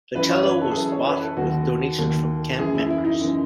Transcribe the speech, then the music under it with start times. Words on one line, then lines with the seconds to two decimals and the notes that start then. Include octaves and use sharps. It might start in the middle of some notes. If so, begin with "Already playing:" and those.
The cello was bought with donations from camp members.
0.15 F#2 E3 B4
0.30 C#5
0.46 B4
0.61 A4
0.71 G#4
0.76 F#2 E3 A4
0.92 C#5
1.07 B4
1.23 A4
1.37 D#2 D#3 F#4
1.98 D#2 D#3
2.59 F#2 E3 G#4
2.75 E4
2.90 E4
3.05 D#4
3.21 F#2 E3